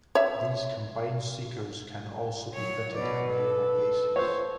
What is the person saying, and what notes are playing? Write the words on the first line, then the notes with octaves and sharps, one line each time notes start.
These combined seekers can also be fitted at naval bases.
C#5 E5
F#3 C#5
B2 B4 D5
A4
C5 C#5